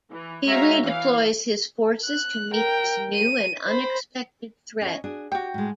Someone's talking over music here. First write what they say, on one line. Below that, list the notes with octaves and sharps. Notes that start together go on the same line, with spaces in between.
He redeploys his forces to meet this new and unexpected threat.
E3
G#3 F#4 C#5 E5 F5 A#5
E3 F5
F#6
A#4 G5
D#7
C5 B5
C#4 D#5
D4 F#4 G#4
F#4 G4 G5
A2 G#3